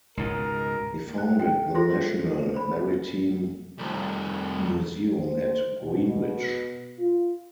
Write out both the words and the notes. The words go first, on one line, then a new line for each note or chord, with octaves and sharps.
He founded the National Maritime Museum at Greenwich.
C#2 G#2 B2 A#4
F#6
G5
F4 G#4 A4 C5 C6 A#6
C5 B5
C2 F2
C5
B2
F4